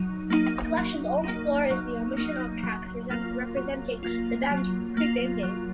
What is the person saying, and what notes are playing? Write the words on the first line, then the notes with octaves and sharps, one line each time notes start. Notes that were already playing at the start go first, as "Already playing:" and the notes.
The collection's only flaw is the omission of tracks representing the band's pre-fame days.
Already playing: F#3 D#4
A#3 D#4
F#3
A#3 D#4
F#3
A#3 D#4
F#3
A#3 F4
F#3
A#3 F4
F#3
A#3 F4
F#3